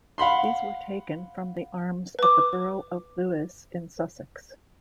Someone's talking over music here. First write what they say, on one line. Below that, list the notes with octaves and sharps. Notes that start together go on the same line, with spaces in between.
These were taken from the arms of the borough of Lewes, in Sussex.
F5 F#5 B5 C6
B4 D6